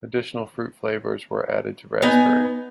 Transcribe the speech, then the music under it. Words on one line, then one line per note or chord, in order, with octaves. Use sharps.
Additional fruit flavours were added to raspberry.
B3 D#4 G#5